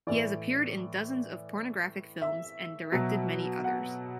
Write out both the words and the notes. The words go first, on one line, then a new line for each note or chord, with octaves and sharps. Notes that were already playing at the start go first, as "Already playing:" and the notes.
He has appeared in dozens of pornographic films, and directed many others.
A2 E3 D5
E5
B2 F#3
F#5